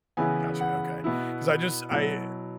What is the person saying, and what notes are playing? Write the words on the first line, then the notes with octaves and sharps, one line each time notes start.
Gotcha, okay, 'cause I just I
C#3 E3 B3 E4 G#5
F#5
B2 B3 E4
B2 F#3 E4